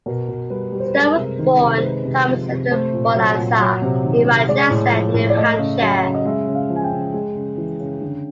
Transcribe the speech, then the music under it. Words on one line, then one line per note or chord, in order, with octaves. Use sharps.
Stone was born Thomas Edward Bourassa in Manchester, New Hampshire.
B2 A#4
B2
G3 B4
G3
C5
B4
G#3 A#4
C3
D#3
C3
C5
G#3 B4
C3
F3
C3
A3 C5
A#2
F#3
A#2
F#3 C#5
C3
D#3
C3
G#3 D5
A2
F3
A2
D5
A3 D#5
C#3
F#3
C#3
D#5
G#3 E5
C#3
F5
F3
G#5
G5
C#3
G#3
C#3
E3
C#3
D3